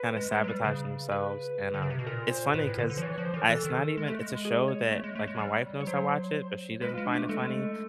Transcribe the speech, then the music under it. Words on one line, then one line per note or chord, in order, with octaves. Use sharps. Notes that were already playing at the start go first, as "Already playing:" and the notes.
kinda sabotaging themselves, and, um, it's funny 'cause I it's not even it's a show that, like, my wife knows I watch it, but she doesn't find it funny,
Already playing: B4
G#3
G#3
F#3
G3
C#3
B4
D3
C#3
C3
B2
A#2 A#4
C5
A#2 B4
A2
D3
D3
F3 C5
E3 C#5
C#5
F3
C5
E3 A#4
E3 A4
D#3
G#3
A3
G#3
G#4
C#5
A3
G#3
A3
G#3
G3
C#5
F#3 C5
G#3 B4
F4
G#3
D4
A3
G#3 A3